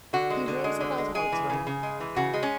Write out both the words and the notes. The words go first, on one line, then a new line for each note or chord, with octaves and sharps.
He rose without answering.
D3 F#4
G#3
D3
G#3
D3
G#3
G#3 G#4
E3
C#3
C#3
G#3
E3
C#3 F#4
G#3
C#4